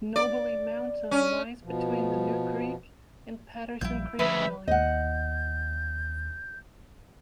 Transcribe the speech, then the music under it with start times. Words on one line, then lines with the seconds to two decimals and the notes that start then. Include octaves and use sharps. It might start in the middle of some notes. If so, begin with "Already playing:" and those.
Knobly Mountain lies between the New Creek and Patterson Creek valleys.
0.16 D5
1.11 C#4
1.63 B2 F3
3.81 A#1 F3 G3 E4 G6
4.19 D2 C#3 F3 B4 E5
4.68 D#2 D#5 F#5 G6